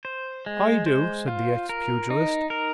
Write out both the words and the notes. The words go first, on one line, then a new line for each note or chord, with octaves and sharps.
"I do," said the ex-pugilist.
C5
G#3
C5
F4
A#4
D#4
A#4